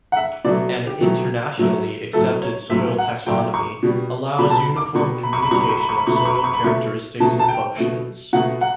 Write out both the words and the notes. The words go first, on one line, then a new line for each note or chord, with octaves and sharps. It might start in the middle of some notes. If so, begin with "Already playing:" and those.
An internationally accepted soil taxonomy allows uniform communication of soil characteristics and functions.
F#5
E5
B2 F#3 A3 D5
G4
B2 F#3 A3
A2 F#3 A3
A2 F#3 A3 A4
C#5
A2 F#3 A3 E5
F#5
A2 F#3 A3 G5
C#6
B2 G3
B2 G3 B5
A5
B5
D6
B2 G3 C#6
B5
C#6
B5
B2 G3 C#6
B5
C#6
B5
C#6
B5
B2 A3 C#6
B5
C#6
B5
C#6
B5
B2 A3 C#6
B2 A3 A5
A5
G5
B2 A3
B2 A3 F#5
F#5